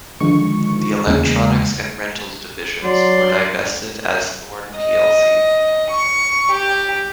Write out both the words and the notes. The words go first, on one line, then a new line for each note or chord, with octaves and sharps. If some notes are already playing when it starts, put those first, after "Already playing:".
The electronics and rentals divisions were divested as Thorn plc.
D3 D#3 F3 G#3 C#6
E2 C#3 G#3 A#3
F#3 D5 C6
D#5
C#6
G4